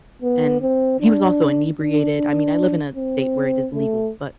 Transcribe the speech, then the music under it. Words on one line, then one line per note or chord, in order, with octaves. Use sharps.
And he was also inebriated, I mean, I live in a state where it is legal, but,
B3
C4
D4
D4
C4
A3